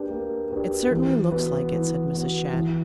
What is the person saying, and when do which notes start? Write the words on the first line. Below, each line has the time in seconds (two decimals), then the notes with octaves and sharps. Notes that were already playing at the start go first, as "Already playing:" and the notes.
"It certainly looks like it," said Mrs. Shadd.
Already playing: A#3 D4 G4 B4
0.10 A#3
0.51 D4 G4 B4
0.91 E3
1.31 B3 F#4 B4
1.72 E3
2.13 B3 F#4 B4
2.53 E3